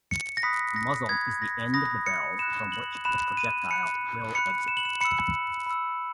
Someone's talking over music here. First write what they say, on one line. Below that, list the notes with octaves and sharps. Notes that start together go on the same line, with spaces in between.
The muzzle is the end of barrel from which the projectile will exit.
C#7
A#6
B5 D#6 F#6 B6
A#6
B5 D#6 F#6 G#6
A#6
B5 D#6 F#6 A#6
C#7
B5 F#6 E7
F#7
B5 F#6 E7
D#7
B5 F#6 C#7
B5 F#6 C#7
E7
F#7
E7
B5 E6 C#7
B5 E6